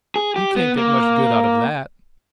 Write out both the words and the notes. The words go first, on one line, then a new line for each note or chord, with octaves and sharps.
"You can't get much good out of that."
G#4
G4
B3
A#3